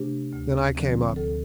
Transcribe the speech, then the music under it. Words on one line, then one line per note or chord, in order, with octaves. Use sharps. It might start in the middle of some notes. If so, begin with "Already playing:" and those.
Then I came up.
Already playing: C3 A3 D4 G4
D2
D3 F3 C4
D2 A4